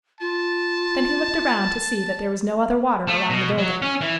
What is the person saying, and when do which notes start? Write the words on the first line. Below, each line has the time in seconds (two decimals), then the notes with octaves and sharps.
Then he looked around to see that there was no other water around the building.
0.20 F4 A5
3.07 A3
3.30 B2
3.58 F#3
3.82 C#4
4.01 E3